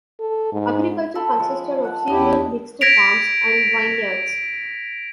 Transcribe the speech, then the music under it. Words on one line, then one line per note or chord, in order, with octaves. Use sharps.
Agriculture consisted of cereal, mixed farms and vineyards.
A4
G#2
A4 G5 B5
F3 G#3
F#5 A5
E2 E4 G4 D#5 G5
G#6 A#6 B6 D7 F7